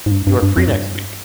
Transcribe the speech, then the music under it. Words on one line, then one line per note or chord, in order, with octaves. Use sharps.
You are free next week.
G#2
G2
G2
G2
F2
G#2
G2